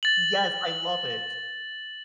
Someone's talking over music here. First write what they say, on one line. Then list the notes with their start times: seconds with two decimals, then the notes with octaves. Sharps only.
Yes, I love it.
0.03 A6 F#7